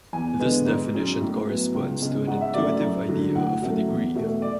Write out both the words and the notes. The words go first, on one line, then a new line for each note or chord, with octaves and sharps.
This definition corresponds to an intuitive idea of a degree.
E2 G#5
D3 G#3 B3
G#2
F#3 C#4
A2
F#3 B3
C#2
C#3 G#3 C#4
G#2 F#5
E5
F#3 A3 C#4 D5
E5
F#2
D3 F#3
A2 F#5
F#3 A3 C#4
E2
B2 A3
D5